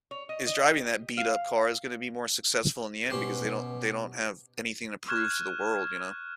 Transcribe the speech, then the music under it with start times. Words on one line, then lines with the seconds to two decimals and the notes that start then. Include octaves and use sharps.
is driving that beat up car is going to be more successful in the end because they don't they don't have anything to prove to the world, you know.
0.11 C#5
0.29 D#5
0.46 D#5
0.71 G4
1.17 F5
3.10 B2 C#4 G4 B4 C5
5.08 C#6 F6 F#6 G#6 E7